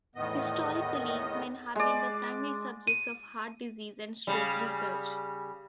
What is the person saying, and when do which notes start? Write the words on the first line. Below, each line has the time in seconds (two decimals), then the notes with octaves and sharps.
Historically men have been the primary subjects of heart disease and stroke research.
0.15 E2 A2 D#3 B3 D#5
1.75 G#3 D5
2.87 D#7
4.27 C#3 G3